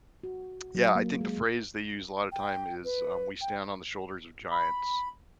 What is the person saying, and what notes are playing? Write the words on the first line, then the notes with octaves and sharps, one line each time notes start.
Yeah, I think the phrase they use a lot of time is, um, "We stand on the shoulders of giants."
F#4
F#3
A#3
G#3
G5
B4
G5
B5